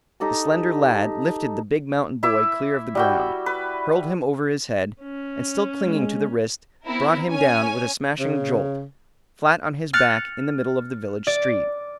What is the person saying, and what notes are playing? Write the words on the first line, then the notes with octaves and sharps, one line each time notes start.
The slender lad lifted the big mountain boy clear of the ground, hurled him over his head, and still clinging to the wrist, brought him down with a smashing jolt, flat on his back in the middle of the village street.
D#4 G4 A4 A#5
E4 E5 D6
G3 F#4 G5
B4
C#4
G#3
B3 C4 E4 A#4
C#4 C#5 G#5
C#3
F6 F#6 A6 C#7
D5